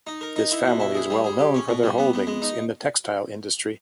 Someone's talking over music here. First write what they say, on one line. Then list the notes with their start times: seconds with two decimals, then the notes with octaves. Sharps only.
This family is well known for their holdings in the textile industry.
0.07 D#4
0.21 A#4
0.36 D#4
0.51 E4
0.65 B2
0.80 E4
0.95 G#4
1.10 G3
1.24 G#4
1.39 G4
1.54 C#4
1.69 B2
1.83 G3
1.98 B3
2.13 B3
2.27 G#3
2.42 D#4